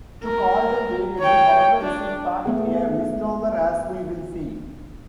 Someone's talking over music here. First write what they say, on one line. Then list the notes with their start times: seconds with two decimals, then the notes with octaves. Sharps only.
To call them "variable", however, is in fact a misnomer, as we will see.
0.24 A#4
1.19 C#5 G5
1.81 D4
2.46 A3 B3 G#4